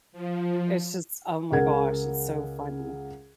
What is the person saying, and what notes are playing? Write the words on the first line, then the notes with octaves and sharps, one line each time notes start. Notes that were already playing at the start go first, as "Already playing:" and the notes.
it's just oh my gosh, it's so funny.
F3
C#2 G#4 A#4 F#5 G#6